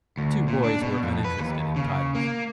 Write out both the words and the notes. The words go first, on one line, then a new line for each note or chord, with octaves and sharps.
The two boys were uninterested in titles.
D2
A#2
D4
B2
F2
B4
D#2
C#3
A#3